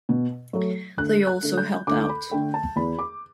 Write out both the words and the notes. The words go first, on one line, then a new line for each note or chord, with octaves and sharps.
They also help out.
B2
F#3 A3
D2 F#6
F#6
D3 A3
G6
D2 D6
B5
D3 A3 G5
A5
E2 B5
D6